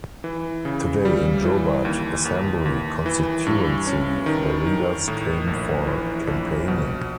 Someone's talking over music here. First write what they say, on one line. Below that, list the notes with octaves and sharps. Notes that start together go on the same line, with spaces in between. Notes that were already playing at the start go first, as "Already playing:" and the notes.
Today in Jobat assembly constituency the leaders came for campaigning.
E3
C#3
G3
E3
D#2
D#2
D#2
E3
G2
C#4
D#3
D#3
A2
A#1
E3
A#1
B2